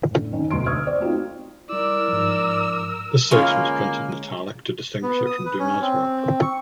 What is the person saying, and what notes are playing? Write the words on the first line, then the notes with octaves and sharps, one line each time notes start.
This section was printed in italic to distinguish it from Dumas' work.
A2 D3
D3 D#3 C#4
D2 B2 C6 D7
C#6 D#6 F6 G#6
C5 D5
A3 C4 D#4 F4 F#4
G3 E4 A#4 D5 E6
G#2 F3
D3 G#3 A#3 C#4 F4 F5 B5
B3
D#6
B4
C#4
C4
C#6